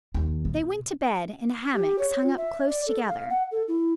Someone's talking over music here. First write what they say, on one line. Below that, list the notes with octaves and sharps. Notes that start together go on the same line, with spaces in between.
They went to bed in hammocks hung up close together.
D#2
B2
G4
C#5
F4
E5
D5
A4
F5
F#5
A4
E4